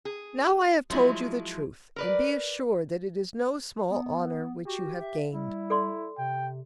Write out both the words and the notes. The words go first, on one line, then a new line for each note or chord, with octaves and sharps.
Now I have told you the truth, and be assured that it is no small honour which you have gained.
G#4
F3 F#3 G#3 E4
A#4 B4 D5
B3
F#4 G4
E5
G3 E4
A4 D5 C6
C3 G5